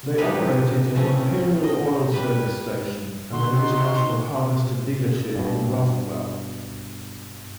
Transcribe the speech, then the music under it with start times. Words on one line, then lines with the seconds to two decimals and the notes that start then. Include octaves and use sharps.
They operated an Imperial Oil service station and an International Harvester dealership in Rathwell.
0.18 A2 C#3 D#4 G4 G#4 B4
0.95 C#3 E3 A3 C4 C#4
1.64 D#5 G5
2.12 G3 B4
3.33 D3 D#4 F#4 C6
5.36 G2 B2